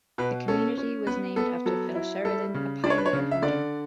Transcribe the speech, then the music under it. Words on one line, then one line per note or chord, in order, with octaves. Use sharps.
The community was named after Phil Sheridan, a pioneer hunter.
B2 B4
C#4 A4
C#4
B3 B4
B3 A4
F#3 A4
E4
G3 A4
C#3
D4 D5
C#5
B4
C#5
C#3
E5
D3 D5